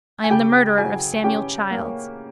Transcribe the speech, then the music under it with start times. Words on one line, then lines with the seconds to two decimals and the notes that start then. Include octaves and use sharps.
I am the murderer of Samuel Childs.
0.24 G#5
0.30 C#3 G4 G5
0.77 F#3 G#4 G#5
1.24 C#4 G4 G5
1.71 A#3